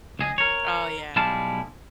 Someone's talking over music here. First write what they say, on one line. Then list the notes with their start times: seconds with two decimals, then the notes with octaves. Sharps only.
Mhm. Oh, yeah.
0.19 C#2 G#4 D#5
0.38 A#4 C#5
1.16 B1 G3 G#3 E4 F5 A5